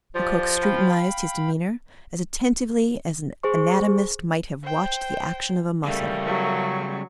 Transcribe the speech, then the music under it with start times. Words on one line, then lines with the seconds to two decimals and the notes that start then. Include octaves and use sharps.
Lecoq scrutinized his demeanor as attentively as an anatomist might have watched the action of a muscle.
0.15 F3 F4 G4 D5
0.62 F5 G5 B5
3.43 G#4 C5 C#6
4.64 C5 G5
5.85 C#3 G3 A3 A#3
6.25 F#3 C#6